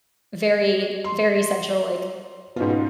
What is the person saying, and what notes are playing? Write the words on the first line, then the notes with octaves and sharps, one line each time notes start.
very, very central, like,
C6
G#2 B2 C#4 F4